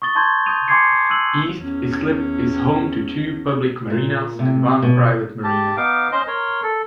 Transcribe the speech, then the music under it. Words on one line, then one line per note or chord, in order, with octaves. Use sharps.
East Islip is home to two public marinas and one private marina.
C#6 D#6 A6 G7
A5 C6 C#6 G6 G#6
D#6 G6 D#7 F7
G#5 C6 D6 G#6 C7 C#7
E6 F#6 D#7 F#7
E2 C#4
A#2
C3
B2
G4 A5
B3 D#4 F5 D6
C#4 C5 D#5 C6
A#4 C#5 C6
A4